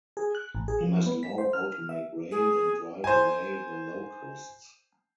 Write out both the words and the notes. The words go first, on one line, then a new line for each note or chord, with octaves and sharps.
He must know how to make rain and drive away the locusts.
G#4
F#6
A1
G#4
F3
B3
B6
C5
F6
E5
G#4
C5 G#5